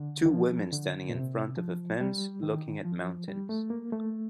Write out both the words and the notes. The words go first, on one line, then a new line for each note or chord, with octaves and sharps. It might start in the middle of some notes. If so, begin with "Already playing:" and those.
Two women standing in front of a fence looking at mountains.
Already playing: D3
D#3
F3
D3
A#2
C3
F3
G3
D#3
F3
G3
A3
A#3
A3